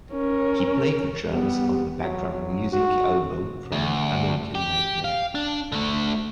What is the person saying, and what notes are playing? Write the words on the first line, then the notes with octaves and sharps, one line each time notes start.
He played the drums on the "Background Music" album from American Nightmare.
C#4 A#4
G3 B3
F#3
F#3
F#4
D2
G4
F5
D4
D3 A3